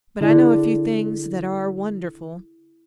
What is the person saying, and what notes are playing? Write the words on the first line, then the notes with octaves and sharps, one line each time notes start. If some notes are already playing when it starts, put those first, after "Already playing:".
But I know a few things that are wonderful.
D3 E4 G#4 D5